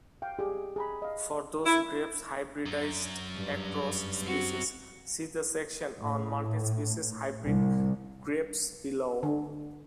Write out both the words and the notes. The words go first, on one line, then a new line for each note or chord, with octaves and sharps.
For those grapes hybridized across species, see the section on multispecies hybrid grapes below.
F5 G5
G4 G#4
G#4 A#5 B5
D#5 F5
E4
F#2
G2
C4 F#4
A2
C2
D3